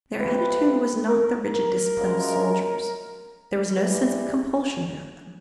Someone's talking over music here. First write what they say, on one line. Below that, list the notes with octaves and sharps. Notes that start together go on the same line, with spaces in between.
Their attitude was not the rigid discipline of soldiers; there was no sense of compulsion about them.
F2 C3 F3 B4
A#4
A#4
F#2 C#3 F3 G#3
G#2 E3 G3 B4